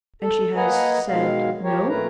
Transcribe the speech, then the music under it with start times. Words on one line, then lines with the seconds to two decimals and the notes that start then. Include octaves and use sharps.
"And she has said No?"
0.22 A4
0.56 A#3 B4 D#5 F#5 G#5 A#5
1.08 B2 D#3 F#3 G#3 F5
1.64 F3 G4 A#4 C#5
1.89 A#2 A3 A#4 B4 A#5